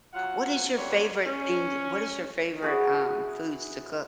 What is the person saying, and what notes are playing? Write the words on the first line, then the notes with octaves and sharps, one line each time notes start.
What is your favorite thing to what is your favorite, um, foods to cook?
F#3 F4 F#5
F2 C3 G3 C#5
C#4
E4 F#4 G#4